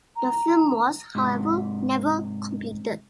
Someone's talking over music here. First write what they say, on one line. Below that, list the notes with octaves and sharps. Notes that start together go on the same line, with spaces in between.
The film was, however, never completed.
A#5
G#2 C3